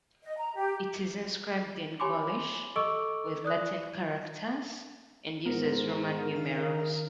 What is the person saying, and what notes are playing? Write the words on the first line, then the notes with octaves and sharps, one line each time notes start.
It is inscribed in Gaulish with Latin characters and uses Roman numerals.
D#5
A#5
G4
G4 C#5 G#5 B5 C6 D6
A4 D#5 C#6 D6 E6 D7
D5 D#6 F#6
G#2 B3 A#4
D#3 F5